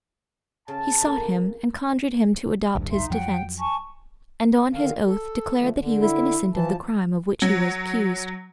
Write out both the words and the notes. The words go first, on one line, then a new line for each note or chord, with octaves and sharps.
He sought him, and conjured him to adopt his defence, and on his oath declared that he was innocent of the crime of which he was accused.
C#3 A5
F2 A#3
A1 D2 G2
D#4 E5 C6
F2 F3 F#3 F#5 G5
G#5 A5 C#6
D3 D#3 F5
A4
D3 F3 A3
D3
E4
E3 F3 A5
F#3